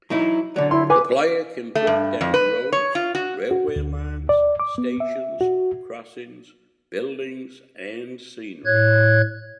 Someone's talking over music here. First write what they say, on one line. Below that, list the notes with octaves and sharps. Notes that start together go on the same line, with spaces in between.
The player can put down roads, railway lines, stations, crossings, buildings and scenery.
F#3 D#4 E4
D3 F#3 D5
E4 C6
B4 G#5 D6
A3
G2
F2
B4
C#5
F4
F#4
F#4
D2
D5
D6
B3
E5
F#4
A2 C#5 F#6 G#6